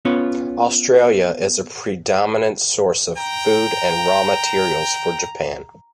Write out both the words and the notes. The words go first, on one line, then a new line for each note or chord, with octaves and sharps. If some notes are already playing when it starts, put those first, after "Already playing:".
Australia is a predominant source of food and raw materials for Japan.
B3 C#4 F4 C#5
G5 A#5